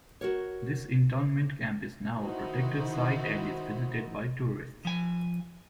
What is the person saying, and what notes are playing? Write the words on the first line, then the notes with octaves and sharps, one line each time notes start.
This internment camp is now a protected site and is visited by tourists.
F#4 A#4 C#5
D#3 D#4 E4 F#4 C5
F3 G#5